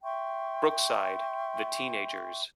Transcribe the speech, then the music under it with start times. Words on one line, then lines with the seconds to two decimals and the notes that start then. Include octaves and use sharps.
Brookside: The Teenagers.
0.04 E5 G5 C6 C#6